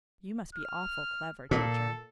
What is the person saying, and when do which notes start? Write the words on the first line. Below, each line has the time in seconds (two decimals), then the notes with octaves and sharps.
You must be awful clever, teacher.'
0.55 F6
1.51 A#2 A4